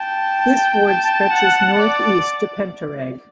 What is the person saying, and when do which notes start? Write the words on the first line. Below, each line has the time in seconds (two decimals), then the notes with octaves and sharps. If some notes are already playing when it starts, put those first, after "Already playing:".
This ward stretches north east to Pencarreg.
Already playing: G5 A5
0.86 A5
1.31 F#5
1.79 D5